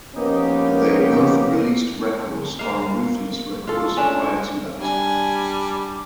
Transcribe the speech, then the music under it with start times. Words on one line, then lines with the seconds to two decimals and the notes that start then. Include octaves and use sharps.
They both released records on Ruthless Records prior to that.
0.16 F3 A#3 B3 C#4 D#4 G4
2.59 A#3 F5
3.67 F4 A4
3.97 C#4 D4
4.78 G3 D4 G#5